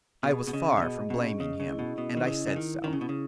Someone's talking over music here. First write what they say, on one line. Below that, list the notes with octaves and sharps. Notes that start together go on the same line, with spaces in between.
I was far from blaming him--and I said so.
B2 G#4
B2
C#3 D#5
C#3
B2 D#5
B2 C#4
C#3 D#5
C#3
E4
B2
B2 D#5
D#3
C#3 E4
C#3
D#3 E4
D#3 C#4
C#3
B2
C#3